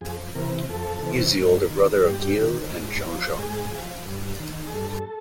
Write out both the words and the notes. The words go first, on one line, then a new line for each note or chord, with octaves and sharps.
He is the older brother of Gilles and Jean-Jacques.
F2 G#4
C3 E3 A#4
F2 A4
C3 E3
G2
D#3
G2 G4
D#3
G#2
F3
G#2 G#4
F3
G2
D#3
G#4
G2 A4